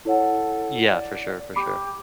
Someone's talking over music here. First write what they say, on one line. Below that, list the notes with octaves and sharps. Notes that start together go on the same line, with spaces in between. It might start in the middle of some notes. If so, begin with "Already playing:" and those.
Yeah, for sure, for sure.
E4 A4 C#5 F#5
D5
G4 B5 D6